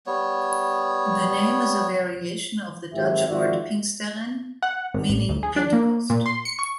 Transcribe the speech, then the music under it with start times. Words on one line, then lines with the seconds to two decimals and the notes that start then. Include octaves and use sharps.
The name is a variation of the Dutch word "Pinksteren", meaning "Pentecost".
0.07 G3 B3 C#5
2.94 G#1 F#3 C4 G4 E5
3.27 G#1 F4 F#4 D5 E5
4.63 F#5
4.94 G#1
5.09 A1
5.29 D2
5.43 G#4
5.56 D4
5.73 A#3
6.10 A#2
6.26 C6
6.45 C#7
6.59 C#6